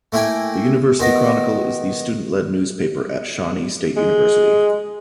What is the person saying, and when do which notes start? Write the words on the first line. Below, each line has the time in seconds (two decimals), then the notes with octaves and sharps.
The University Chronicle is the student-led newspaper at Shawnee State University.
0.12 A3 A#3 E4 G5 G#5
1.00 D#3 B3 D#5
3.96 G#3